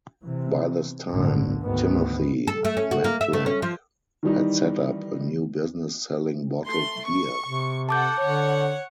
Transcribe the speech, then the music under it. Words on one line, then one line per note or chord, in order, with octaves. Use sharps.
By this time Timothy Matlack had set up a new business selling bottled beer.
C3 E3
G1 C2 A2 D3
D2 G#2 D#3 B3
A4
A3
C#4
F#4
A#3
E5
A3
C#4
F3
D#3 E3 G3 D#4
A3 C6
C#6
C3
A4 F#5 A5 D6 G6
D3 C#5 F#5